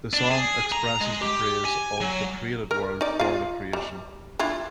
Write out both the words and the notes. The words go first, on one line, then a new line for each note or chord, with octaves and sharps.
The song expresses the praise of the created world for the Creation.
D4
G#4
A#5
G#3
G4
G#5
F#3
A#4
D#4 D5
F4 F5
G3
D4 E4 F4